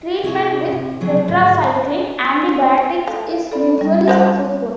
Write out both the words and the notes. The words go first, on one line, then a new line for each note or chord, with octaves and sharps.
Treatment with tetracycline antibiotics is usually successful.
C3 E4 F#4 G#4
C3
C#3 F#3 C4 G#4
D2 G#2 G#3
A3 F5
A4 D5 B5
G3 C#4
F3 G3 C5 F#5